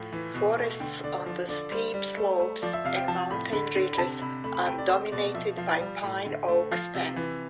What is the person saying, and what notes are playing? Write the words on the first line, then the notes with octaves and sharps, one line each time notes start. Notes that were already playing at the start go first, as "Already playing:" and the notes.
Forests on the steep slopes and mountain ridges are dominated by pine-oak stands.
Already playing: A2 F3
E3
B2
A3
D3 G5
D3 D5
F3 D5
D3 D5
G3 C5
G3
A3
A3
F3 D5
E5
C3 F5
G5
F3 A5
A2 B5
D3 B5
D3
B5
C3 A5
C3 B5
A3 B5
B5
C3 G5
D5
A3 C5
B2 D5
F3 E5
F3 F5
G3
A2
D3
A3
F3 F5
C3
E3